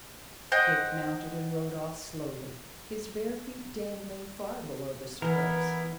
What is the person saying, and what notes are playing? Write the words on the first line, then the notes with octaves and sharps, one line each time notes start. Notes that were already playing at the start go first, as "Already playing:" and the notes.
Jake mounted and rode off slowly, his bare feet dangling far below the stirrups.
C5 D#5 F#5 G5
E3 B3 E4 A#4